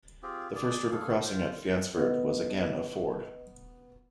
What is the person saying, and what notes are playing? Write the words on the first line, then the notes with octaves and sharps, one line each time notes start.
The first river crossing at Fyansford was again a ford.
C4 F4 G4 G#4
G#4 D5
G#4 A4 F5
F4 C5
B3 B4 D#5